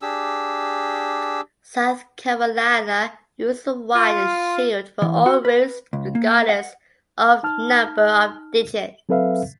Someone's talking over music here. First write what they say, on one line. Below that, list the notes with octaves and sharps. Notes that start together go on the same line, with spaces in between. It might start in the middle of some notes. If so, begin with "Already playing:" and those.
South Carolina uses a wide shield for all routes, regardless of number of digits.
D4 G4 G#4 E6
F4 F5 C6
E3
F#4
B4
C#2
A#3
F#5
D#4 A5 F6
F#3 C4 A4 B4 E5 F5